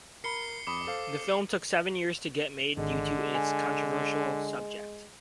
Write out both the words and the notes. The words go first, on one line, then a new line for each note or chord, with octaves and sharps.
The film took seven years to get made due to its controversial subject.
A#4 A#5 B5 C7 C#7 G7
G7
F2 B5 D6 D#6
A4 C5 F5 D6
G#1 D3 G#3
G#5